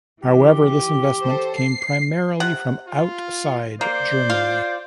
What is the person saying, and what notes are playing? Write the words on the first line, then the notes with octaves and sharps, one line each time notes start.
However this investment came primarily from outside Germany.
E3 G4
A4 C5
C7
C3 F#5
F4
A#3 C5 D5
F4